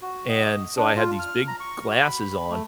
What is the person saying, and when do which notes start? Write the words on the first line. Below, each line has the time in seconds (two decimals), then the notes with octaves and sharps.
And so I had these big glasses on.
0.02 F#4
0.29 D#5
0.77 D4
0.96 F4
1.19 F6
1.48 A#5
1.60 C#6
1.86 F#4
2.03 B5
2.21 B5
2.50 A3